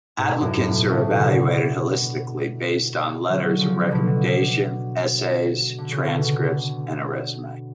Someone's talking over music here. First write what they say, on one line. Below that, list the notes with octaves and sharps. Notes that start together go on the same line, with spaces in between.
Applicants are evaluated holistically based on letters of recommendation, essays, transcripts, and a resume.
G#2 B2
F#2 A2
A2
G#2 B2
A2 C#3
B2 D3
D3 F#3
C#3 F3
B2 D3
D3
C#3
B2 D3